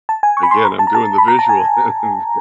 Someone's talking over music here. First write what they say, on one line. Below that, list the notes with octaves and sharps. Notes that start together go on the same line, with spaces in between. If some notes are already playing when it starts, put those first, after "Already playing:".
again, I'm doing the visual, and
A5
G#5
C#6
B5
C6
A#5
A5
A#5
A5
B5
A#5
A5
G#5